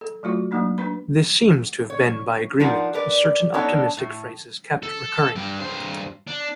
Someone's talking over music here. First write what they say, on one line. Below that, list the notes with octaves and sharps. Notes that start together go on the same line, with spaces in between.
This seems to have been by agreement, as certain optimistic phrases kept recurring.
A4
F#3 A3 F4 F#4
F#3 G#3 A#3 D4 D#4
D4 B4 B5
C#5
F3 D4 D#4 F4 A#4 F#5
A#4 B4 D5
B3 D4 D#4 A4 C#5
A2
A4
G2 G4
G2 C5
D4